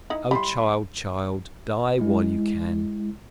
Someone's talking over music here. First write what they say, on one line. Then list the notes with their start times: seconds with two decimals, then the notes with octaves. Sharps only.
O child, child! die while you can!
0.10 D#4 E4
0.31 G3 E4 B5 C6
2.00 G#3 E4